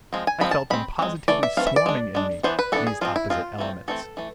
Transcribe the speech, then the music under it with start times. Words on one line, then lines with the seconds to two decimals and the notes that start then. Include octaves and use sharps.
I felt them positively swarming in me, these opposite elements.
0.13 F3 G#3 C4
0.27 G#5
0.41 F3 G#3 C4 B5
0.51 A5
0.70 G#3 C4 B5
0.99 G#3 C4
1.28 E3 A3 D5
1.43 E5
1.57 E3 A3 C4 F5
1.67 E5
1.76 D5
1.86 G#3 D4
2.15 G#3 D4
2.43 E3 B3 D4 C5
2.59 B4
2.72 E3 B3 D4 A4
2.87 G#4
3.01 F3 G#3 C4 F4
3.16 E4
3.30 F3 G#3 C4 F4
3.59 E3 A3 C4
3.88 E3 A3 C4 A4
4.17 E3 A3